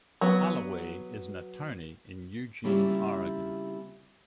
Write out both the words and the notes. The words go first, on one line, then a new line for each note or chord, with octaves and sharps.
Holloway is an attorney in Eugene, Oregon.
F#3 B3
C#3 G3 A#3 C4 E4 F4